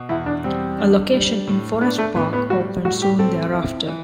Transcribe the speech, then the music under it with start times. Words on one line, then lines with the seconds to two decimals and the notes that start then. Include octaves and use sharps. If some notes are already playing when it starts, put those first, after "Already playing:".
A location in Forest Park opened soon thereafter.
Already playing: B2
0.09 E2 E4
0.26 D4
0.44 G3 C4
0.78 D4
1.13 G3
1.47 A2
1.81 B3 D4
1.98 A3
2.16 A2 B3
2.33 B3
2.50 G3 F#4
2.85 A2 F#4
3.02 G4
3.19 C4 A4
3.53 E4
3.88 E3